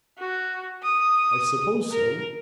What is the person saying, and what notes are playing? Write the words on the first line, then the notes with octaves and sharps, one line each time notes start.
I suppose so.
F#4
D#6
A#4